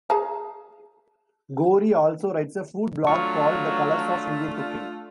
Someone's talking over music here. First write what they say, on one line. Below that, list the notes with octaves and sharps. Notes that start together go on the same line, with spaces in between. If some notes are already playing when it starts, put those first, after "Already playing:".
Gori also writes a food blog called "The Colors of Indian Cooking".
G#4 A5 A#5
F#3 A3 D4 F4 C#6